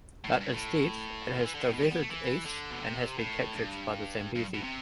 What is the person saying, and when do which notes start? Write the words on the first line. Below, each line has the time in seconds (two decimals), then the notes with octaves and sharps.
But instead it has diverted east and has been captured by the Zambezi.
0.24 A2
0.28 G2
0.41 G2
0.53 A2
1.37 F3
1.45 E3
1.55 D3
1.64 C3
1.73 B2
1.82 G3
1.91 B3
2.00 A3
2.09 E3
2.46 D3
2.71 B2
2.81 C3
3.18 A2
3.54 G2
4.36 G2
4.54 B2
4.63 C3